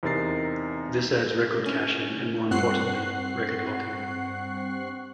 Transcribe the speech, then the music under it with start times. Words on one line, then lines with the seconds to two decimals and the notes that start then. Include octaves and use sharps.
This adds record caching and, more importantly, record locking.
0.03 E2 C3 D#4 A#4 A6 C7
1.66 C#4
2.51 G2 C4 F#5 C#6 F#6 C7